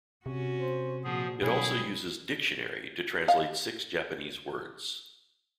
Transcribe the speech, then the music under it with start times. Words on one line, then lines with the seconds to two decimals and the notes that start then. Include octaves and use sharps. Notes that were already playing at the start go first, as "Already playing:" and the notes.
It also uses "dictionary" to translate six Japanese words.
0.26 C3 C#4 F#4
0.60 C5
1.04 A#2 F3 F#4 G#4
1.42 B2 F#3 G3 C#4 E4 G#4
3.28 D#5 F5